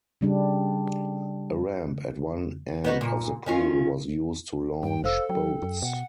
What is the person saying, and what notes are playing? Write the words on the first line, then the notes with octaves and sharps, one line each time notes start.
A ramp at one end of the pool was used to launch boats.
C#3 G3 D4
B3 D#4 F#4
G2 A#2
D#3 C#4 F4
G2 G5
F1 A4 C5 F5 E6
F#3 G5
F#2
B2 F#5